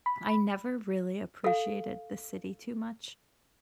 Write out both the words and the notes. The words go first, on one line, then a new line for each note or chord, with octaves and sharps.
I never really appreciated the city too much,
B5
A4 F5